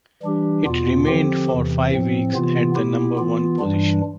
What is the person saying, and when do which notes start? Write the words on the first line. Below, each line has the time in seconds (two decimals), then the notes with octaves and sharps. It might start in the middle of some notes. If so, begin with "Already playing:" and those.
It remained for five weeks at the number-one position.
0.23 E3 G3 D4 G4
0.65 E2 B2 B3 F4
1.07 D3 F3 C4 G4
1.48 E2 C3 E3
1.91 A2 F3 C4
2.34 C3 E3 B3 F4
2.75 B2 B3 E4 G4
3.18 E3 B3 F4
3.59 G2 E3 G3 D4